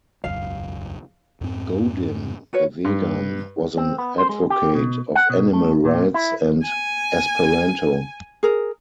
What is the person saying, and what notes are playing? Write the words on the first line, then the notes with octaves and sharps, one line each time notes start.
Godin, a vegan, was an advocate of animal rights and Esperanto.
E1 C#2 F#2 F5
F2 G#2 C4
F#4 B4 C#5
G2
C4
B3
C5
G#3
G4
B2
F#5
B2
A3
A#2
E4
G#5
G#4 A#4